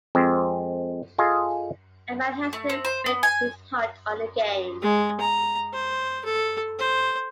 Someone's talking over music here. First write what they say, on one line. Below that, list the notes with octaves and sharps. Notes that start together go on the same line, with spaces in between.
A man has to bet his heart on the game.
F2 G#3 C4
F4 G#4 A4 D#5 F5
A3
C4
C5
B3
G#5
G#3
A#5
C5
A4
C5